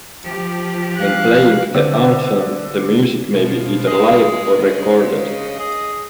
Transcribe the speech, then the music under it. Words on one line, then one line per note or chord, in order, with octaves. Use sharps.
When playing the anthem, the music may be either live or recorded.
F3 G4
F5 F#6
D3 C4
B2 F3
G#4 D#5 C6
C#3
G#4